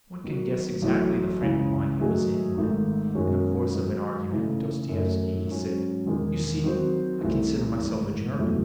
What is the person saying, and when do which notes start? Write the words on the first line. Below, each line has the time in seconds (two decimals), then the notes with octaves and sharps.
One can guess exactly the frame of mind he was in when, in the course of an argument with Dostoevsky, he said: "You see, I consider myself a German."
0.24 D#2 D#3 F#3
0.82 A1 A2 F#3 A3
1.41 C#2 C#3 E3
1.99 D#3 F#3 A3 D#4 G#4
2.57 G#1 G#2 D#3 A3
3.15 F#2 D#3 G#3 C#4 F#4
3.73 G#2 D#3 F#3
4.31 C#3 E3 A3 D#4
4.89 F#2 D#3 A3
5.47 G#2 F#3 C#4
6.05 E1 D#2 D#3 G#3
6.64 D#3 F#3 C4 F#4 C5
7.22 C2 C3 E3 A3
7.80 A1 G#2 D#3
8.38 F#1 E2 C3 F#3 A3